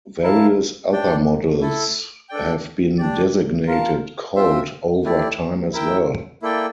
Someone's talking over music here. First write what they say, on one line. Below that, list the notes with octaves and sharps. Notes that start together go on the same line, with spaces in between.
Various other models have been designated "Colt" over time as well.
E4 A#4 F5 A5
D4 G4 D5 G5
A3 E4 A4
D4 A4 D5 G5
D4 G4 D5
F4 A#4 F5 A5
C4 F4 C5 E5
A3 E4 G4 D5
E4 A#4 E5 G5
A#3 E4 A4 D5 G5